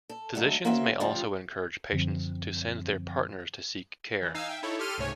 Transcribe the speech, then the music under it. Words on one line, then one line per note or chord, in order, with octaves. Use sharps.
Physicians may also encourage patients to send their partners to seek care.
A4
D3 F#3 G#3 A3
A#3 C4 C#4 F#4 E5
D2 C#3 F3 G3 F4
F#2 D3 F3 C4
E3
D#4 F5 G#5 E6
E5 G5
D#4 E4 A4 C#5
G4 A4 C6 F6 D#7
C#2 G#2 C3 A3 C#5 G#5